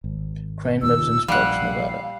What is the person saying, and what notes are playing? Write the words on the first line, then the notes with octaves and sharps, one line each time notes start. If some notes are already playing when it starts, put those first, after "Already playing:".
Crane lives in Sparks, Nevada.
G#1
D#2 A#2 E6
A#1 G3 F5 F#5